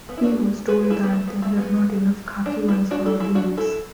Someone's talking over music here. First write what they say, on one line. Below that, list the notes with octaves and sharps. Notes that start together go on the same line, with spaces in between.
He was told that there were not enough khaki ones for all the units.
B3
E4
D4 F#4
F#4 B4
B4
E4 A4
B3
A3
B3
A3
B3
D4
B3 E4
D4 F#4
E4 A4
E4 A4
D4 F#4
E4 A4